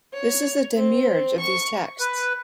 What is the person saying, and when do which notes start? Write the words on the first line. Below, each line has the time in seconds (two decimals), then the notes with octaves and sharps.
This is the demiurge of these texts.
0.13 C#5
0.76 C4
1.40 C#6
2.00 B4